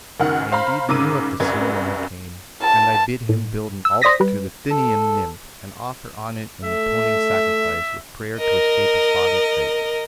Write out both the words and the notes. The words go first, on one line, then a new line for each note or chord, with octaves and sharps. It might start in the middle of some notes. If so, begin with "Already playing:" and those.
I indeed knew of the sin when he came; and I bid him build an altar to the Thynian nymph, and offer on it an atoning sacrifice, with prayer to escape his father's fate.
C#2 F#2 D#3 F#5 F6
C5 F5 A#5 B5
G#2 C#3 A#4 D6 E6 D#7
C2 F#2 B4 G#6
A5
A2
E6
C5 D5 D#6 A#6 B6
G3 B4
A4
A3 E5
A#4 D#5